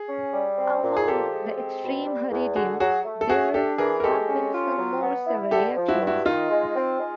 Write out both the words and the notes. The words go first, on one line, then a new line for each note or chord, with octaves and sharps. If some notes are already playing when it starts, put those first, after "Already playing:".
Among the extreme Haredim, there have been some more severe reactions.
Already playing: G#4
C#4
G3
C4
A#2
G#4
F3 G4 A4
G#3
C4
B2
G3
E2
D3 F#4 G#4
F#3 F#4 G#4
A3
A4
A3 F#4 G#4
D4 G4 A4
E3 G#4 A#4
A#4
G#3 G4 A4
C#4
F4
F#3
B3
E4
D3 G4 A4
F3
E4 F#4
G2
E4 F#4
D#3 D#4 F4
G#3
C4
G#3